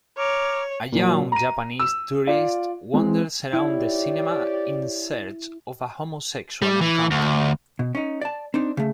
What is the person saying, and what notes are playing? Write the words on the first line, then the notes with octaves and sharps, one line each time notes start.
A young Japanese tourist wanders around the cinema in search of a homosexual encounter.
C#5 A#5 D6 F6
A#2 F#3
A#5 D#7
E6
F4 D5
E3 G#3 C4
E4 G4 C#5 D5
G3
E3
D2
B2
C#4 D#4
D5 A5
C4 D4 D#4
C#3 A3